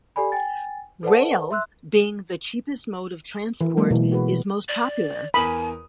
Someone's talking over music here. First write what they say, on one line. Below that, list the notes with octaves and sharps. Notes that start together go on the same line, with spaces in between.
Rail, being the cheapest mode of transport, is most popular.
G4 A4 D5 G#5 B5
G5 G#5 A6
A4 B4 C5 D5 F#5 A5
E5 C6 E6 F#6
E3
F#3 G#3 A#3
B2 E3
F#4 G#4 B4
D5
E2 A#4 G#5 B5 D#6